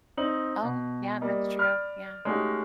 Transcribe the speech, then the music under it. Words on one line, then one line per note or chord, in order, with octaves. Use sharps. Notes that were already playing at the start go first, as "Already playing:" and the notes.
Oh, yeah, that's true. Yeah.
C4 D#4 F#7
B2
G3 A#3 D#5
D5 B5 F6
G#3 A3 C#4 D#4 F#4 G4